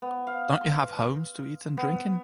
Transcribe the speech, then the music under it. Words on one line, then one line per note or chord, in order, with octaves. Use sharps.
Don't you have homes to eat and drink in?
B3
F5
C6
B3